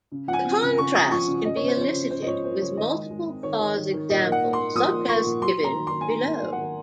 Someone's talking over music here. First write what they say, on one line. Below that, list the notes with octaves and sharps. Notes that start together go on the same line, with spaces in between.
The contrast can be elicited with multiple clause examples such as given below.
C#3
F3 F#5
G#5
C4
C#3
C#3 C#6
F3 D#6
F3 C#6
C#3
C#3 D#5
C#3 C#5
C5
F3 C#5
C#3
C#3 C5
D#5
F3 C#5
A#3 C5
C#3 C#5
D#3 D#5
G#3
G#3
C4
D#3 C#5
D#3
D#3
D#3
A#2 D#5
A#3
F#5
A#3
C6
A#3
F3 D#6
A#3
A#3 C#6
A#2
F#3 C6
A#3
A#5
D#3
D#3 C6
G#5
D#3 A#5
A#3
F#3
F#5
D#3